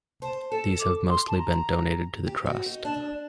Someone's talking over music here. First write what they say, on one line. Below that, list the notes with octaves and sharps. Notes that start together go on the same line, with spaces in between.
These have mostly been donated to the Trust.
C5 A5
A4 A5
D6
C6
A5
A#5
G4
F#4
D#4
D4 A5